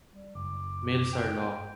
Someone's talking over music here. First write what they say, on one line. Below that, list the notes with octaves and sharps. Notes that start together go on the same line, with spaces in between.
Males are long.
G3
F#1 D6
G5